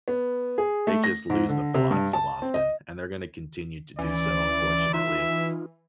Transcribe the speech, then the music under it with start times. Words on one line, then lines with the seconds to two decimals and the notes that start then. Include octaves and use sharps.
they just lose the plot so often, and they're gonna continue to do so unfortunately,
0.08 B3
0.58 G#4
0.87 A3
1.04 A#6
1.30 G#2
1.49 D3
1.74 C3
1.91 G2
2.13 A5
2.42 C4
2.54 D#5
3.99 D2 E3 C#4 D5
4.93 D#4 F4 E5